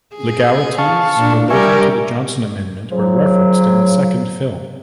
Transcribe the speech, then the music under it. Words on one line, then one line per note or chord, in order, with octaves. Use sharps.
Legalities related to the Johnson Amendment were referenced in the second film.
G#4
F5 A5 C#6
A#2 D4
G3 G4 A#4 E5 G#5 C#6
C#3 F3 F#3